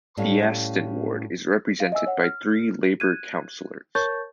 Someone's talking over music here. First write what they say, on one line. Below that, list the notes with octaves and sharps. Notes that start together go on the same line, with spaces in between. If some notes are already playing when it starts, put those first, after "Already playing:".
The Aston ward is represented by three Labour councillors.
A2 G3 C#4 F5
F5
D#5 E5 G#5 E6
C#5 F#5
F6
F#6 G#6 D#7
A#4 C#5 A5 C#6 G6 A6